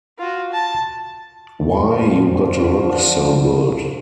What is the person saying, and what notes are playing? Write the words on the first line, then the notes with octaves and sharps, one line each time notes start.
Why You Gotta Look So Good?
F4 F#4
A5
D3 F3